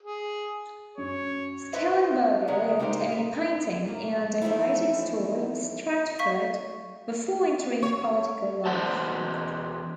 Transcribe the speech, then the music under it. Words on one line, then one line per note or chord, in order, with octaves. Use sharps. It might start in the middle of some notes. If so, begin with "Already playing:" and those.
Schellenberger owned a painting and decorating store in Stratford before entering political life.
G#4
F#2 C#5
E4 B4 C5 D#5 E5
C#3 F#3 G#3 A#3 B3
C#3 D#4 G4 A#4 C5
B3
A#3
E3 F3 A3 D#4 E4
F5 C#6 B6
C#5
E2 B2 F#4 C5 A5